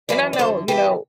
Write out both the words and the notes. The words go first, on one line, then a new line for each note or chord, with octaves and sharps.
And I know, you know
F#2 E3 B4 D5
D5
F#2 D3 A4 C5
E2 C3 E3 G4 B4